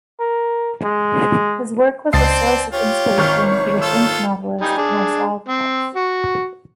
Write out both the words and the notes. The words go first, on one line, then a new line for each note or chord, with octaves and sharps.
His work was a source of inspiration to the French novelist Marcel Proust.
A#4
G#3
C#2 C4 C5 D5 D#5 A5 A6 C7
F4 G4 C#5
G#1 C#6 F6
F4 A4 E6
G3 D#4 G#5
D4 G#4
C4
F#4